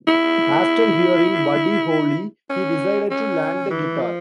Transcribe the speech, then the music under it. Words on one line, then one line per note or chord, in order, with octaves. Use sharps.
After hearing Buddy Holly, he decided to learn the guitar.
E4
C#4
C#4
E3
F3